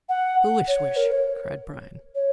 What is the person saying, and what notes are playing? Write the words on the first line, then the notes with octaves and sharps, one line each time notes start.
"A foolish wish," cried Bryan.
F#5
C#5
A#4
C#5
C#5